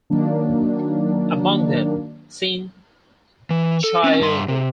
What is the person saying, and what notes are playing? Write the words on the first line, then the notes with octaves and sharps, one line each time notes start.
Among them, Sin Chaeho.
D#3 F#3 A#3 D4
E3
A4
C4 C#4
G2 C6
C3